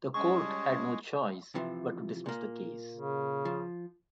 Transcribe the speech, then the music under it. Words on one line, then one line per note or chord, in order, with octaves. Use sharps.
The court had no choice but to dismiss the case.
G3 G#3 C#4 G#4 A5 C#6
C3 E3 F3
A#2 A#3
C#3
F3